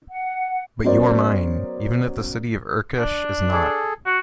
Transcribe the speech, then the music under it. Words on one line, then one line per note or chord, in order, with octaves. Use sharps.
But you are mine, even if the city of Urkesh is not.
F#5
F#3 B3 C#4 A#4 C5 D5
D4
G#4 A4
F#4